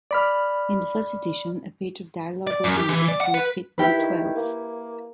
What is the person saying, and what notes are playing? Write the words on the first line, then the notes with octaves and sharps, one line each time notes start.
In the first edition a page of dialogue was omitted from Fit the Twelfth.
D5 B5 F6
D5
F#2
G4
E3
D5
F#5
B4
E4 G4 B4
D#3
A#3